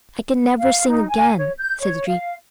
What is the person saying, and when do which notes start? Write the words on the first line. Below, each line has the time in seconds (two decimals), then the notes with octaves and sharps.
"I can never sing again," said the dream.
0.58 F5
0.88 D#4
1.09 G#5
1.37 C#5
1.59 G6
1.80 C#5
2.08 F5